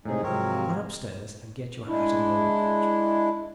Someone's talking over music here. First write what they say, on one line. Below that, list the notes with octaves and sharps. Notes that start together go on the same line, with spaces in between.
"Run upstairs and get your hat and overcoat."
A2 C3 G#3 D#4 G#4
G#2 C3 F3 F#3 C4 A#4 C#5
G#3 D4 E4